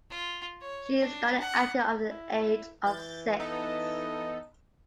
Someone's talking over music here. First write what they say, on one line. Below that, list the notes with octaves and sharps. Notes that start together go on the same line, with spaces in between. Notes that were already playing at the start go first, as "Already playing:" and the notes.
She started acting at the age of six.
F4
C#5
D4
F#5
E4
E3 G6 A6
B3 D#4 A4 D#5